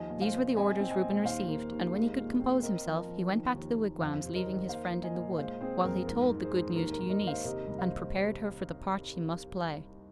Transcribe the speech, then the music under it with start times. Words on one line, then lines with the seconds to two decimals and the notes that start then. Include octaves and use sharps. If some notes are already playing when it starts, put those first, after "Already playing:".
These were the orders Reuben received, and, when he could compose himself, he went back to the wigwams, leaving his friend in the wood, while he told the good news to Eunice, and prepared her for the part she must play.
Already playing: D#2 F3 D#5 G#5
0.10 A#2
0.21 C5 F5
0.33 A#2
0.57 C4 D#5 G#5
0.80 C4
0.91 D#5 G#5
1.03 A#2
1.25 D#2 C5 F5
1.48 A#3
1.71 D#2
1.94 G#3
2.18 A#2
2.40 C4
2.63 C4 A#4 D#5
2.86 F3
2.97 A#4
3.08 F3
3.32 D#3
3.55 D#2
3.78 D#2
4.00 F2 C5 F5
4.23 C3 C5
4.35 A#4 D#5
4.46 D#3
4.69 A#3 C5 F5
4.93 A#3
5.03 D#5 G#5
5.15 A#2
5.38 G#3 C5 F5
5.61 C4 G#4 C5
5.84 F2 A#4
6.07 G#2 A#4
6.29 G#2
6.41 G#4 C5
6.53 G#2
6.75 D#2 A#4
6.93 A#4
6.99 D#2
7.10 A#4 D#5
7.22 D#2
7.27 C5 F5
7.44 C3 A#4 D#5
7.68 C2
7.79 C5 F5